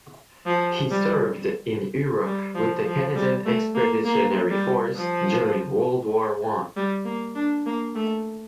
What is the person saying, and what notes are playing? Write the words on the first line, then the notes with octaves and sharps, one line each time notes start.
He served in Europe with the Canadian Expeditionary Force during World War One.
F3
G3
G3
F3
F3
G3
A3
A#3
A#3
G3
F3
G3
A#3
D4
A#3
A3